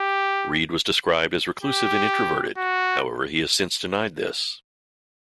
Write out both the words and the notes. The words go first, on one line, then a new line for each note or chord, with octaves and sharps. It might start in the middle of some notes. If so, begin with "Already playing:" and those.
Reed was described as reclusive and introverted, however he has since denied this.
Already playing: G4
G4
F#4